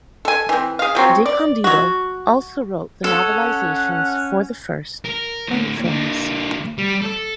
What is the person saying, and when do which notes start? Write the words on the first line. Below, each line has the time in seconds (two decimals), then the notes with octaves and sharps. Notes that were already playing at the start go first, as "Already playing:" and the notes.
DeCandido also wrote the novelizations for the first and films.
0.25 A4 G#5
0.49 E3 C4
0.79 G#4 F5
0.95 F3 F#3 C4
1.26 D5
1.64 F#3 F#4
3.04 C#4 A4 F#5
5.05 A#4
5.48 D2 A2
5.84 D3 A#3
6.78 G3
7.02 A4